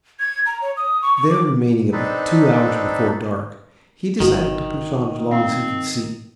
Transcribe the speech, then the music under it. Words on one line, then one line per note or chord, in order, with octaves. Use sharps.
There remaining about two hours before dark, he decided to push on as long as he could see.
G#6
A#5
C#5
D#6
C#6
C#6
D6
C4 D4 D#4 A4 B4
G1 D#3 F#4
C4 F5